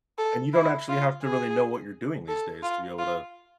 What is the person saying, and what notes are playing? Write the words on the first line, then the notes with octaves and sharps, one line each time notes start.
And you don't actually have to really know what you're doing these days to be able to,
A4
E4
F4
G#4
A4
F4
F4